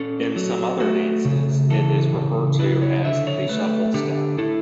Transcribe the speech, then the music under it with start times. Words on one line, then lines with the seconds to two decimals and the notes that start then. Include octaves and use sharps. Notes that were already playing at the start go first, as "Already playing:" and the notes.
In some other dances it is referred to as the shuffle step.
Already playing: C#4 A4
0.36 F#3
0.80 A3 F#4
1.25 C#3
1.70 E3 A4
2.14 C#3
2.59 E4 B4
2.82 C#5
3.04 D3 E5
3.27 C#5
3.49 A3 B4
3.94 D3 G4
4.39 E4 A4